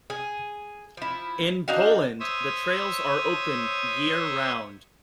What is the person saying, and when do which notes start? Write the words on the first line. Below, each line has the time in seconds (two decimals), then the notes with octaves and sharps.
In Poland, the trails are open year-round.
0.10 G#4
0.97 F3 E4
1.68 D4 D#4 F#4 F5
2.20 C5 C#5 E5 D#6 E6